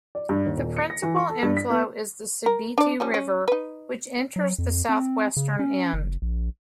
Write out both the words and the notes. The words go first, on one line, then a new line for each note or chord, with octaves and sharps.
The principal inflow is the Sibiti River, which enters the southwestern end.
D5
G2
D#2
D#1
C#7
A#6
E3
C#6
A4
G2
B6
B3
A#4
D4 D5
F3 G3 C#4
C#4
D#4 B4
F#3
F2
C4
C#3
C#4
F#1
A#1